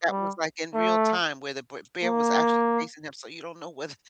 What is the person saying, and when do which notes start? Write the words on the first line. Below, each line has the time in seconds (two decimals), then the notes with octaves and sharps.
that was, like, in real time where the br bear was actually chasing him, so you don't know whether
0.11 G3
0.75 A3
2.04 A#3